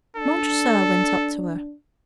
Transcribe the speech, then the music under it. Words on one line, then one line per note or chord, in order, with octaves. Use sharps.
Montresor went up to her.
D4 A4